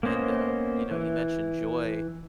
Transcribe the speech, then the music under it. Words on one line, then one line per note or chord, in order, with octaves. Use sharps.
And, um, you know you mentioned joy
A#3 B3 C#4 C5 D#5
E3